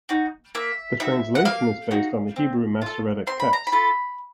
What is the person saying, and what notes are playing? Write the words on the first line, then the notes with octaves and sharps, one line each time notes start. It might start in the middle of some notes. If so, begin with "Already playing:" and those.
The translation is based on the Hebrew Masoretic text.
D#4 F#4
A#3 E5
D#4 F#4 E5
F#5
A#3 F5
D#4 F#4
C4
F4 A4
C4 C6
B5
A#5
B5
F4 A4